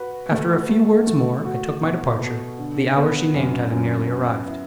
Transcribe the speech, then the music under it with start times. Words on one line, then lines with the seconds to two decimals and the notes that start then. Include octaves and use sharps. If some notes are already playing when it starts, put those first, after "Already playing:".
After a few words more, I took my departure, the hour she named having nearly arrived.
Already playing: F#4 B4
0.32 A3
0.69 A3
1.07 A3
1.45 F#4
1.83 B2
2.21 B2
2.59 D3
2.96 B3
3.34 F#2
3.72 F#2
4.10 B3
4.47 E4